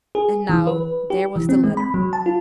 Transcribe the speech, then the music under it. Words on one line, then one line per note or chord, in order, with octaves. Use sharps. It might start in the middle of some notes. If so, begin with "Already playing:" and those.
And now--there was the letter!
G#4
E3
B4
G4
E3
C4
G#3
B5
F#3
A5
F4